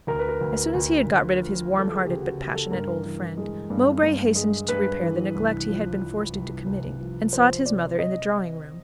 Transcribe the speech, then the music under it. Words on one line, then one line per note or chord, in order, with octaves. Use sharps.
As soon as he had got rid of his warm-hearted but passionate old friend, Mowbray hastened to repair the neglect he had been forced into committing, and sought his mother in the drawing-room.
D2 A#4
B4
A#4
D2
D2
D2
F3
F3
A4
G#4
C#3 G4
F#4
C#3 G4
A4
G2 A#4
E3
G#3
G2
G2
G#3
G2 B4
E3
C2
F3
F3
C2
C2
F3
F3 C5
C3 D5
D#5